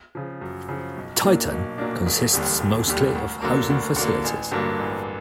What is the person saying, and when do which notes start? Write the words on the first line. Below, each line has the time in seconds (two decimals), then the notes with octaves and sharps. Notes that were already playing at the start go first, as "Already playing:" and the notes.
Titan consists mostly of housing facilities.
0.15 C#3 F3
0.41 F#2
0.68 C#3 F3
0.97 B1
1.23 A#2 F#3 A#3 D4
1.52 B1
1.78 A#2 F#3 A#3 D4
2.06 E1
2.33 D#2 D3 G3
2.61 E1
2.87 D#2 D3 G3
3.15 D2
3.41 D3 F#3 A#3
3.70 D2
3.96 D3 F#3 A#3
4.24 A1
4.51 G2 D3 F#3 A#3
4.79 A1